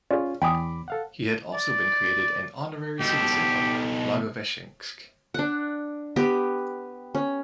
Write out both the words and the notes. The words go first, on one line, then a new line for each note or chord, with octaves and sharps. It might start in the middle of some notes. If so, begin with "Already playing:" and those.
He had also been created an honorary citizen of Blagoveshchensk.
C#4 F4 G#4 D5
E2 G5 G#5 B5 D6 D#6
A4 F5 F#5
D5
B2 G4 A4
D4 F#5
B3 G4
C#4